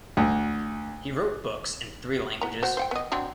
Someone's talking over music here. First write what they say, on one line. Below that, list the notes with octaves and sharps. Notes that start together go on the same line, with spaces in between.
He wrote books in three languages.
D2
B3 A#5
F#4 C5
C5 F#5 G5
B3 D#5
F#3 C4 D4